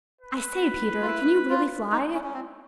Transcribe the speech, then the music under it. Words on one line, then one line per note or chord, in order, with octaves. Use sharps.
"I say, Peter, can you really fly?"
B4
F4
E4
F4
D#4
C#4
C#4
C4